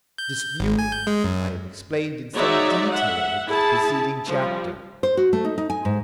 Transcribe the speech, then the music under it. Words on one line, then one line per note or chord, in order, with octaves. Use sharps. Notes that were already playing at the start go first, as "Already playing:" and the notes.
This view I have explained in some detail in the preceding chapter.
G6
G#1
G#5
G6
G#3
F#2
G#3 D#4 F#4 C#5 D5 E5
E5 F#5
E4 G#4 A5
F3 G3
C5
F#4
A3
D#4
D#4
G#5
G#2